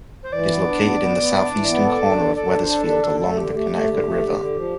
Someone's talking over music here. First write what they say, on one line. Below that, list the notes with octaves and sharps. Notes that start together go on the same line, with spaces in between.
It is located in the southeastern corner of Weathersfield, along the Connecticut River.
C5
E3 D5
B3
D4
B3
B3
B3
D4
E3
B3
A4
D4
A4
A4 D5
D4
D5
C5
A4
D4 B4
D3 A4
A3 A4
D3 G4
A3 G4
A3
D3
A3
D3
D3
F3